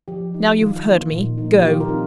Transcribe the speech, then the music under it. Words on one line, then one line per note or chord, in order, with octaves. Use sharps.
Now you have heard me, go!
F3 G4
D#4
D#3 F4
A#3 D#4
A#2
F3 A#3 D#4
G4
D#3 F4
A#4
C4 D#4